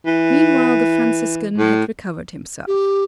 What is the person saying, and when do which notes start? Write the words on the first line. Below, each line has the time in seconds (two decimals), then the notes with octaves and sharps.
Meanwhile the Franciscan had recovered himself.
0.06 E3
1.57 A2
2.67 G4